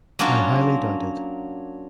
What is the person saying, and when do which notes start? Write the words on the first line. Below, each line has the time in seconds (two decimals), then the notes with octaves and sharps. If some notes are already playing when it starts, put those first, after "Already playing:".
I highly doubt it.
0.19 F#3 A#3 C#4 D4 F4 F#4